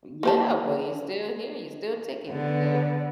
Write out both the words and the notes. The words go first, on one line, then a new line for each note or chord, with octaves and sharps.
Yeah, but you're still here. You're still ticking, so,
A#3 G4 A5
D3 B3